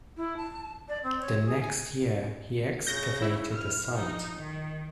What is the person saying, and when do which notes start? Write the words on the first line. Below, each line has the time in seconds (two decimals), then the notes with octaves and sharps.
The next year, he excavated the site.
0.17 E4
0.37 A5
0.88 D5
1.03 C4
1.21 C#5
1.46 G#4
1.60 G#5
2.87 C#3 G6 A#6
3.22 E4
3.54 F6
3.95 F3 D#4
4.37 D#3